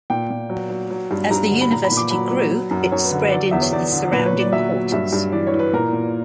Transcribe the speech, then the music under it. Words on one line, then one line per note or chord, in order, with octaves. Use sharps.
As the university grew, it spread into the surrounding quarters.
A#2 G5
A#2
F#3
F#3
F#3
G2
G2 A#5
D3
B5
A#2 A#5
B5
A#2
D6
F#3 B5
F#3
F#3
F#2
F#2 C#5
B4
D3
B4
F#3 D5
E2 E5
C#5
E2 D5
D3
A#2 B4
C#5
A#2
D5
F#3 E5
F#3
G2 E5
G2
E3 D5
C#5
E3
B4
A#2 A#4
A#2